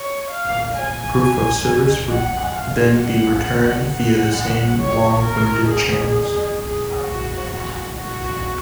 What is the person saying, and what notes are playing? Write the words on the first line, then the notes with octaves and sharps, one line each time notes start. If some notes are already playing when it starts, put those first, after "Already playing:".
Proof of service would then be returned via the same long winded channels.
Already playing: C#5
F5
G#5
F#5
F5
F#5
F#5
C#5
A#4
G#4
G#4
F#4
F#4